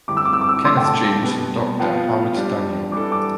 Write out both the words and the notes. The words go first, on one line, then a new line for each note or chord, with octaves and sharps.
Kenneth James and Doctor Howard Daniel.
D3 G3 C4 E4 G4 D6
E6
D6
E6
D6
E6
D6
D3 F3 A3 C6
G5
A5
A5
B2 G3 B3
F3 B3 F4 G5
G3 D4 G4
E3 G3 D4 A4 D6
D6